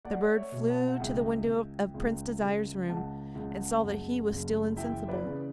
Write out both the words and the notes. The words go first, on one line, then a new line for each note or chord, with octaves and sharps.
The bird flew to the window of Prince Desire's room, and saw that he was still insensible.
A3 D5 F#5
C#5 E5
B2
F#5 A5
F#5
C#2 E5 G5
C#2
C#2
C#2
C#2 F#5 A5
C#2
F#1
F#1
E3 E5 G5
B4 D5
C#3